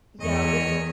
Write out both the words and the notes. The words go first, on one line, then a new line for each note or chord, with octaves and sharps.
yeah, with
E2 C#5 D#5